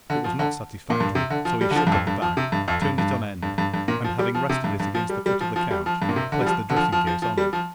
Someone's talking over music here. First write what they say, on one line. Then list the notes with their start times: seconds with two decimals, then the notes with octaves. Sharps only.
It was not satisfactory, so he shut up the bag, turned it on end, and, having rested it against the foot of the couch, placed the dressing-case on it.
0.10 D3
0.24 F3
0.39 D3
0.90 A#2
1.00 G2
1.15 C3
1.30 D3
1.45 F3
1.61 G3
1.71 D3
1.76 F3
1.87 G2
1.92 F2
2.07 G2
2.22 F3
2.37 C3
2.52 G2
2.68 F2
2.82 G2
2.98 G2
3.43 G2
3.58 G2
3.74 G2
3.88 A#2
4.04 F3
4.19 G3
4.35 F3
4.49 C3
4.64 G2
4.80 G2
4.95 F3
5.09 G3
5.26 G3
5.41 F3
5.56 F3
5.71 G3
5.86 F3
6.02 G2
6.09 A#2
6.16 C3
6.32 D3
6.41 G3
6.46 F3
6.70 D3
6.76 F3
6.92 F3
7.07 F3
7.22 F3
7.37 G3
7.53 F3